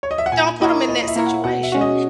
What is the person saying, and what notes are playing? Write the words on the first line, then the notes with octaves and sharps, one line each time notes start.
don't put them in that situation,
C#5
D#5
E5
F#5
A#2 G#5
A#3 E4 A#4 C#5 D#5
A#2 D#5
D#5
E5
A#3 E4 A#4 C#5
F#5
B2 F#5
E5
G#3 C#4 F#4
D#5